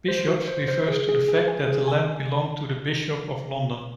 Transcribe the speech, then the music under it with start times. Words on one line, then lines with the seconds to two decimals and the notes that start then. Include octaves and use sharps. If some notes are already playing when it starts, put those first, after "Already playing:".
'Bishops' refers to the fact that the land belonged to the Bishop of London.
0.08 C5
0.28 F#4
0.48 C5
0.68 C5
0.88 G#4
1.09 G#4
1.28 G#4
1.48 G#5
1.67 G#4
1.88 G#5